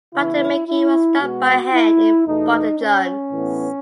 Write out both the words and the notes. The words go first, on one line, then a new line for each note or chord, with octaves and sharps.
Buttermaking was done by hand in butter churns.
C#3 E3 B3 E4
E4
B2 G#3 B3 F#4
E4
E2 B2 A3 D#4
C#4
A2 E3 B3